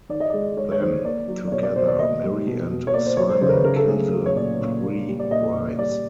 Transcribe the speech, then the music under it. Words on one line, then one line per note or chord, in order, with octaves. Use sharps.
Then, together Mary and Simon kill the three brides.
D#3 D5
D#5
G#3 D5
G#3 C#5
C#5
D#3 C5
A#3 D5
F#3
D5
B2 C#5
D5
B2 C5
D5
A#3 D#5
G3
B2
B2
C#5
A#3 D5
C5
F#3 C#5
C5
C#3 C5
A#4
B4
C#3 A#4
A4
A3 G#4
F#3
C#5
A#2 D5
A#2
A#3
G3
D5
A#2 D#5
A#2
G3 D5